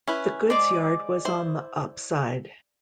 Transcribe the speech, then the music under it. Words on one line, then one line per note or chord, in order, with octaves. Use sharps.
The goods yard was on the up side.
C#4 E4 B4
G#3 C5 D5
E4 C5